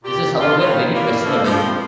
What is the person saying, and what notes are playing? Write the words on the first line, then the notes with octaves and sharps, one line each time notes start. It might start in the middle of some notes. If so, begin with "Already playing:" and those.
This is, however, very questionable.
A#2 G4
C#3 D4 D#4 F4
G3 C4 D#4 B4 C#5 F5
E3 G3 A#3
F3 A3 A#3
F3 G3 C4